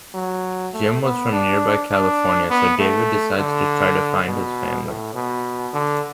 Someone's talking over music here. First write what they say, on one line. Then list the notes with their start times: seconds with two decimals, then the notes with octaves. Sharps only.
Jim was from nearby California, so David decides to try to find his family.
0.14 F#3
0.73 A3
1.02 B3
1.32 D4
1.91 D4
2.50 B3
2.79 A3
3.38 D3
4.26 B2
4.85 A2
5.15 B2
5.73 D3